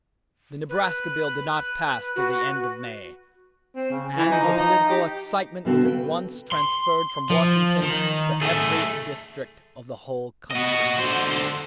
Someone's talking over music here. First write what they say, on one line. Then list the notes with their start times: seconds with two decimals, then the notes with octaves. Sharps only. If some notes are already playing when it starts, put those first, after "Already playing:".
The Nebraska bill did not pass till the end of May, and the political excitement was at once transferred from Washington to every district of the whole country.
0.69 B4
2.16 F#4 B4
3.75 C4
3.91 C#3
4.17 E3
4.31 D#4
4.44 F3
4.58 D#4
4.89 G4
5.65 B2 D3 B3 C4 F#4 F5
5.85 B4 G5
6.52 C6
7.30 F3
7.82 D#3
8.41 A3 G#4
10.51 F#4 D#5
10.99 D3 C5